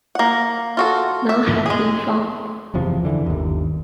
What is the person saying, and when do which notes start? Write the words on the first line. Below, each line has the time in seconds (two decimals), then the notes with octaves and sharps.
None had been found.
0.15 A#3 F#5
0.77 F4 F#4 A4
1.29 E5
1.66 G#3 G#4
2.74 F#1 E2 C3 F3
3.05 D3 E3
3.26 G1 D#2